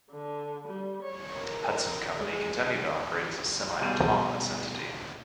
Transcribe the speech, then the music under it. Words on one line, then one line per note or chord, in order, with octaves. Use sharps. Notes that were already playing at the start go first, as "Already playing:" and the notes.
Hudson Company continued to operate as a semiautonomous entity.
D3
G3
C#5
A#4
G#3
B2 G3 G#4